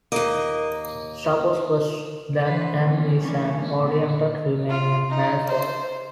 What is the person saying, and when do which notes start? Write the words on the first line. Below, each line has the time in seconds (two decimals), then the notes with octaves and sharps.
Suppose first that "M" is an oriented Riemannian manifold.
0.12 D#2 A#3 D#5
2.46 E3 B4 C5
2.83 C3 E3 C#4
3.18 D#3 E3 G3 A3 C#4 D4
3.77 A#2 B3 A4
4.69 F4
5.10 D#4
5.49 C5